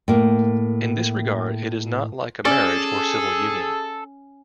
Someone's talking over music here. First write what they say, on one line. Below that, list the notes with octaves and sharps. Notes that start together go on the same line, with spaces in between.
In this regard it is not like a marriage or civil union.
A2 A#3
C#4 G#4 A4 D5